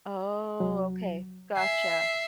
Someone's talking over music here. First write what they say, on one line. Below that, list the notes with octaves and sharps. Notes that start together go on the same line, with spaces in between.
Oh, okay. Gotcha.
C2 F#3
E5 G#5 C7